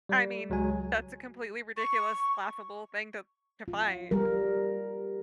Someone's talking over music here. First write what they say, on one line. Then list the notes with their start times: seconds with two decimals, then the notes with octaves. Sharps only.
I mean, that's a completely ridiculous, laughable thing to to find.
0.09 G3
0.50 C#2 F#3 G#3 G#5
1.77 C#6
3.68 F4
4.11 G3 A#4